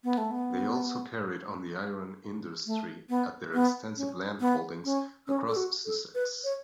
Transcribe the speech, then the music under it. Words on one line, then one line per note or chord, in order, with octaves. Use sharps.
They also carried on the iron industry at their extensive landholdings across Sussex.
B3
A3
B3
A3
B3
B3
C#4
B3
C#4
C#4
A4
F#4
A4
B4
C#5